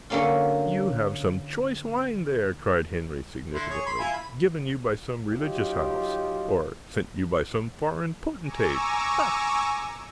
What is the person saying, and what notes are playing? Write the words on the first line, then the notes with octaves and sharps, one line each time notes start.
"You have some choice wine there," cried Henry significantly; "given you by some religious house, or sent you by some foreign potentate, ha!"
D3 F#3 A#3 C#4 F4
D3 E4 C6
G#4 C#5
B5 C6
E4 F4 G#5
B5
F#3 D#4 F4 G4
G#5 A#5 C#6 D6 E6